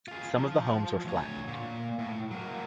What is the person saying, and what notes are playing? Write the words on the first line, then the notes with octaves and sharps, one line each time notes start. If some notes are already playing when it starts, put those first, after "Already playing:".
Some of the homes were flattened.
F4 G#4
F3
D2 C#5
A#2
A2
F#3 A#3